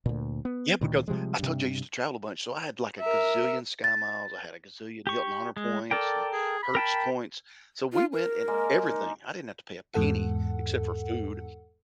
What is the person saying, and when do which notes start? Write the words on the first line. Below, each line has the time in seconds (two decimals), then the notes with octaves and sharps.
Yeah, because I told you I used to travel a bunch, so I had, like, a gazillion SkyMiles, I had a gazillion Hilton Honor points and Hertz points. So we went and everything. I didn't have to pay a penny except for food,
0.06 D2 A#2
0.45 B3
0.81 D2 A#2 D#3
1.08 C3 F3 G3 G#3
1.39 G2 C3
3.00 A#4 E5
3.84 A6
5.07 G4 C#6
5.57 G#3
5.91 A4 A#4 D5 G5
6.33 G#4
6.63 B5
6.75 A#4 G5 A5
7.93 F4
8.13 A#4
8.48 G#3 A#3
8.86 D#4
9.94 E2 G#2 A4 F#5